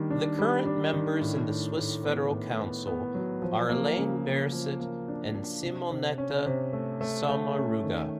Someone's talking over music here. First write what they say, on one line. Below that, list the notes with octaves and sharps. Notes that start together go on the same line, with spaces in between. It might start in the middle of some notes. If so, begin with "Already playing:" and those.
The current members in the Swiss Federal Council are: Alain Berset and Simonetta Sommaruga.
Already playing: D#3 G3 A#3 D4
D4
G3
D4
D#3
A2
A2
A2
B3
A2
B3
B3
F#3
F3
A#3
C#3
C#3
F3
A#3
D4
D4
C3
C3
C#4
C3
A3
A3
A3
C#4
D#3